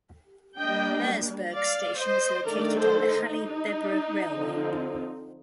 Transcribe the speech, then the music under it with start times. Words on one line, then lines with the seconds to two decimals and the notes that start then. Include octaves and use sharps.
Merseburg station is located on the Halle-Bebra railway.
0.59 G3 A#3 D4 D#5 G5
1.53 D5 F5
1.99 C5 D#5
2.45 D#3 A3 D4 A#4 D5
2.77 A4 C5
3.07 D#4
4.32 D3 F3 C4